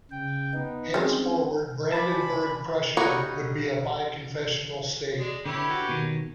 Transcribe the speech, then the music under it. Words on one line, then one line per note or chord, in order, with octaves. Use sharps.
Henceforward, Brandenburg-Prussia would be a bi-confessional state.
C#3 G5
B3 D#4
D#3 G#3 C4 C#4
B4 D5 G#5 A5 B5 C6
G3 B3 D#4 F#4 C#5
G#3 D4
D3 E4 G4 B4 C#5
F#4
B2 D#3